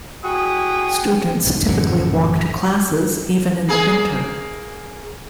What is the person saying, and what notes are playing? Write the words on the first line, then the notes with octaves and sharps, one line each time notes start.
Students typically walk to classes, even in the winter.
G3 E4 F#4 G#4 G5 D#6
A1 F#2 A#2 D3
A#3 G#4